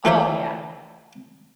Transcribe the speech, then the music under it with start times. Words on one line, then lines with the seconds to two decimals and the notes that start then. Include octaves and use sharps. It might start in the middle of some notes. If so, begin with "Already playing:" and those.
Oh, yeah.
0.05 A3 E4 F4 C5 C#5 E5